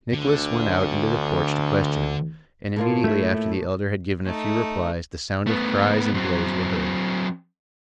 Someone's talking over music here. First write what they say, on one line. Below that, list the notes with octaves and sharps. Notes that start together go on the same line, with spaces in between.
Nicholas went out into the porch to question him, and immediately after the elder had given a few replies the sound of cries and blows were heard.
D2 D3
A2 A#3 F4
A3 E4
A3 D#4
A3 B3
F#3 C4